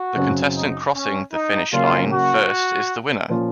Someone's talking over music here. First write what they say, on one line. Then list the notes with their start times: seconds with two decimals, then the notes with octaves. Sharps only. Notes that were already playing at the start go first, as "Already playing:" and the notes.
The contestant crossing the finish line first is the winner.
Already playing: F#4
0.15 F#2 C#3 F#3 C4
0.55 D#4
0.94 C#4
1.33 D#4
1.72 C#3 F#3 A#3 C#4 F4
2.12 F#4
3.29 A#2 F3 A#3 C#4 F4